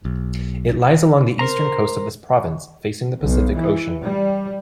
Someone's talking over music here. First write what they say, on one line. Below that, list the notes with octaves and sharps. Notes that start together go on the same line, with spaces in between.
It lies along the eastern coast of this province, facing the Pacific Ocean.
B1
A#4 C5 A#5
B1
E3
G3